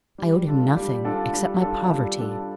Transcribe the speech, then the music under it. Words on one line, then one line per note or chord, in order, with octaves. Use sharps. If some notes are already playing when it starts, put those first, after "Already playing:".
I owed him nothing, except my poverty.
G3
D4 F4 A4
G3
D4 F4 A4
G3
D4 F4 A4
G3
D4 F4 A4